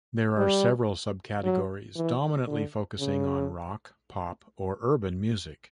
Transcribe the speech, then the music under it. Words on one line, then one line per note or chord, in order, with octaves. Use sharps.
There are several subcategories, dominantly focusing on rock, pop, or urban music.
G3
F#3
E3
D3
C#3